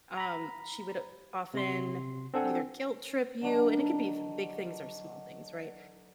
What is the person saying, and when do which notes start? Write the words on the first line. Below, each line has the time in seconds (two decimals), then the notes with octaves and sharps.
Um, she would often either guilt-trip you, and it could be f big things or small things, right?
0.17 A#5 B5
1.54 C3 C6
2.34 C4 D4 A4 F#5 G#5
3.41 D3 F#3 D4 D#4